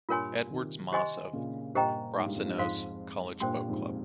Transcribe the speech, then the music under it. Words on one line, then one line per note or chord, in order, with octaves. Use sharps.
Edwards-Moss of Brasenose College Boat Club.
G2 A#2 F4 A#4 C#5 G#5 C6
C3 D#3
G4 C5 D#5 G#5 C6
A#2 C#3
G2 A#2 G4 C5 D#5 G5 A#5
G#2
G2
F2
G2
F2 G#2 C5 F5 C6
G2 A#2 C5 G5 C6
G2 A#2
F2 G#2